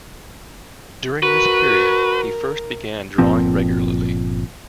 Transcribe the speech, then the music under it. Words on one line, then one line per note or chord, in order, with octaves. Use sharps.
During this period he first began drawing regularly.
F#4 A#4 B4
G1 A#2 F3 C4